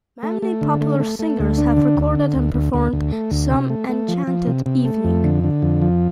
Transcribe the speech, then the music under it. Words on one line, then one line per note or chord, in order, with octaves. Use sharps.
Many popular singers have recorded and performed "Some Enchanted Evening".
A3
A3
D3
A3
A3
A3
D2
D4
D3
D2
D3
D2
D2
D2
D2
A3
D2
C3
A3
A3
F3
F3
C3
C3
A3
F2
D3
D3
F2
F3